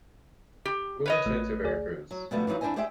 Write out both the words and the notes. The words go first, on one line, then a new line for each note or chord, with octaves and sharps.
We’ll return to Veracruz.
G4
B4 C#5 D#5
A1 A3
D2 G#4 D5
F#3
B2 D3 F3 G3 A3 B3
E3 F#3 B3 D#4 F4
F2 D4 E4 C5 D#5 G#5
G4 G#4 C5 D#5 E5 G5